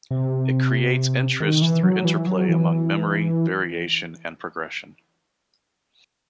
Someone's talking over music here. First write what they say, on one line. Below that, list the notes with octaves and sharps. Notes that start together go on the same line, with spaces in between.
It creates interest through interplay among "memory, variation, and progression".
C3
D#3
E3
F#3
E3
F#3
E3